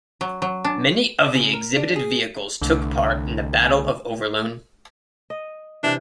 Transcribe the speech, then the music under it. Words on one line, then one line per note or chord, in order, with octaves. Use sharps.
Many of the exhibited vehicles took part in the Battle of Overloon.
F#3
F#3
D4
C#3
A#4
D4
G#4
C2 D3 A3
D#5
C3 E3 D4